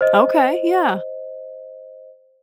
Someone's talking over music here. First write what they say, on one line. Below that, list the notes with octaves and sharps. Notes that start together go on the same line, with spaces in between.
Okay, yeah.
C5 D#5